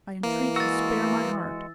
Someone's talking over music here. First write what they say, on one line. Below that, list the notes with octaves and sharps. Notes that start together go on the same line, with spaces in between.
I entreat you, spare my heart!
E3 A#3
G#3 F#4 E6 A6